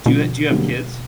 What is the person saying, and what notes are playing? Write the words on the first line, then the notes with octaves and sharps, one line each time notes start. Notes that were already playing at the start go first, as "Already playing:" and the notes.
do you do you have kids?
G2 B2 D3 F3
F#2 D3 G3 A#3